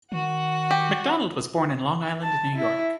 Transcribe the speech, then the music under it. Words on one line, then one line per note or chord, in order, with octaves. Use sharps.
McDonald was born in Long Island, New York.
D#3 F#4 F#5
G4
A5
E4